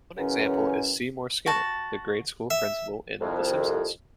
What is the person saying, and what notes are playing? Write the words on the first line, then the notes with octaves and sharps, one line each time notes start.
One example is Seymour Skinner, the grade-school principal in "The Simpsons".
F#2 C#3 E3 C#4
F#4 A5
E5
C2 F2